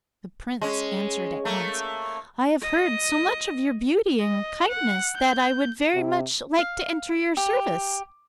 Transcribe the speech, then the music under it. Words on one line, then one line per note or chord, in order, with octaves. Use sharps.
The Prince answered at once, 'I have heard so much of your beauty and kindness, that I would very much like to enter your service.'
G#3 C#4
A3 A#3
D#5
D#5
F#5
G6
C3
F5
G4